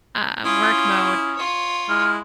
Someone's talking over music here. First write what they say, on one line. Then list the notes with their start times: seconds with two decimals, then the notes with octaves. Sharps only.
um, work mode,
0.45 C#4 E4 F4 D#6
1.36 F4 C#5
1.89 G#3 E4 F6